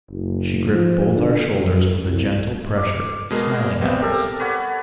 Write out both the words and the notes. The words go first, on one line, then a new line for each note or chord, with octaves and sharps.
She gripped both our shoulders with a gentle pressure, smiling at us.
F#1
F3
D3
F#2
C2
D6
B2 G#3 A#4
G3 B3 C4
G4 A4 A#4
B4 C#5 F#5